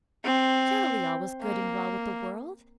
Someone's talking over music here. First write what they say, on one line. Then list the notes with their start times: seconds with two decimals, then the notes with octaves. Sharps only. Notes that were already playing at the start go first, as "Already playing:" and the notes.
Surely all was good and well with the world!
0.25 C4
1.42 A#3